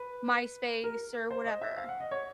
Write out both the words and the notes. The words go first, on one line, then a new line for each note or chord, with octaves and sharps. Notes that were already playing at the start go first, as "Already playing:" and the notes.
MySpace or whatever.
Already playing: B4
A#4
C5
D#5
E5
F5
F#5
D#5
C#5